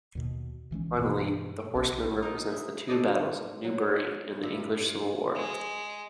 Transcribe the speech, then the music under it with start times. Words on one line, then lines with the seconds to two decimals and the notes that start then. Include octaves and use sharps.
Finally, the horseman represents the two battles of Newbury in the English civil war.
0.15 D#2 B2
0.71 B1 E3 G#3 C#4
0.97 G2 B2 E3
1.75 B1 C#4
2.23 D#4 A#4
2.50 E4 G#4
2.88 A4 C5 D5 D#5
3.64 F#3
4.43 G2 F4 E5
5.35 G#3